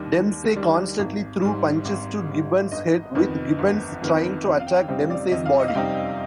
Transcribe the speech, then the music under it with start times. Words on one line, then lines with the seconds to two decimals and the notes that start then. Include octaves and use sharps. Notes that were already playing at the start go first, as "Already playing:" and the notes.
Dempsey constantly threw punches to Gibbons' head, with Gibbons trying to attack Dempsey's body.
Already playing: D#2 D#3 G3 D4
0.12 D#2
0.55 D#3 G3 D4
0.99 G#1
1.42 G#2 G3
1.85 G#1
2.29 G#2 G3
2.72 G1 D#5
3.15 F2 D#3 B3
3.59 G1
4.02 F2 D#3 B3
4.45 F2 D#5
4.60 F5
4.67 G5
4.88 C3 G3 C4 D#4 G5
5.10 D5
5.32 F2 D#5
5.46 F5
5.60 D#5
5.68 F5
5.75 C3 G3 C4 D#4 G5